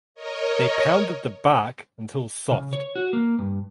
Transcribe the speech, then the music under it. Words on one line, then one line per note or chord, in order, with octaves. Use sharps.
They pounded the bark until soft.
A#4 C#5 D#5
C#3
C#5
F#4
A#3
G2